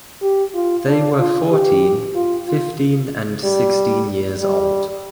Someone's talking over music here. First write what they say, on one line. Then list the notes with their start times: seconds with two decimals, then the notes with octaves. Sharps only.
They were fourteen, fifteen and sixteen years old.
0.22 G4
0.54 F4
0.86 D4
1.19 F4
1.51 G4
2.15 F4
2.47 F4
3.44 G3
4.40 G3